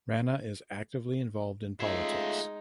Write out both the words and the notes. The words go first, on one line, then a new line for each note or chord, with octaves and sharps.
Rana is actively involved in Politics.
G#3 A3 C#4 D#4 F4 G#4 E5